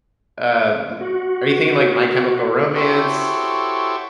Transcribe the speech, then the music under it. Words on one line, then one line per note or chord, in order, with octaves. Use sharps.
um, m are you thinking, like, My Chemical Romance,
F#4
E4 F#4 G4 A4 C5 C#5